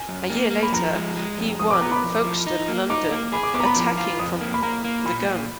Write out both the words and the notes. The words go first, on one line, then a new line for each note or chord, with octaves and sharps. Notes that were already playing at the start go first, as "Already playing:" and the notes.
A year later, he won Folkestone-London, attacking from the gun.
Already playing: G#5
F#2
A#3
A#3
B5
F3 A#5
G#3
G#3
F2
F2 D#6
D6
B3 A#5
B5
F2
F3
D#4
A#3
D#4 D6
A#3
G#4 B5
D6
B3 D6
A#5
B5
F3
F4
F2 D#6
A#3
B5
A#3 A#5
A#3
A#2 B5
A#2